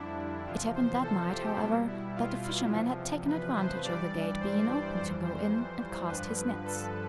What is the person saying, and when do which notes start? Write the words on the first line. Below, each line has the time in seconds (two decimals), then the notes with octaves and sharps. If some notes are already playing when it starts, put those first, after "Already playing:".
It happened that night, however, that a fisherman had taken advantage of the gate being open to go in and cast his nets.
Already playing: F2 D3 G3 D4 E4
0.47 E2 C3 F3 F4
0.76 C5
1.04 A4
1.32 G4
1.60 B2 G3 E4
1.88 E4
2.16 F4
2.72 E2 C3 F3
3.28 B4
3.56 C5
3.84 G2 E3 G3 D5
4.40 C5
4.97 F2 E3 G3 C5
5.24 C5
6.09 G2 D3 F3 B4
6.65 A4